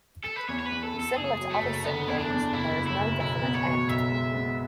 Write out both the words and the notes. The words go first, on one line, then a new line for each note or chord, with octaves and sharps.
Similar to other Sim games, there is no definite end.
A4
B4
E2 C#5
C#5
B4
E2
A4
E2
A4
F#1 G#4
F#3
A3
F#1
D3 B3
E2 E4
D4
E2
F#1 E4
F#1
E4
F#1
B1 E4
B3
C#5
B2
B1 E5
G#3
B3